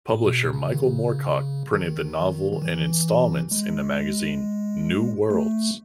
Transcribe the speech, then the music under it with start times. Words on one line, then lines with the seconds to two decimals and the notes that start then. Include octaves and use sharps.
Publisher Michael Moorcock printed the novel in installments in the magazine "New Worlds".
0.12 A2
0.23 B2
0.53 C#3
0.72 D#3
0.83 C#3
1.73 D#3
2.53 D#3
2.62 E3
3.51 G#3
5.30 A3